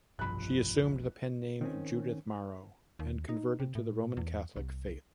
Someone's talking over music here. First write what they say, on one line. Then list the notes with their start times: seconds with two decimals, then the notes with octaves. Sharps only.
She assumed the pen name Judith Maro and converted to the Roman Catholic faith.
0.19 F1 B1 G2 F3 B5 F#6
1.61 D#3 C4 C#4
2.99 D#2
3.29 D#4
3.60 C3
3.75 A2
4.17 E2
4.56 C2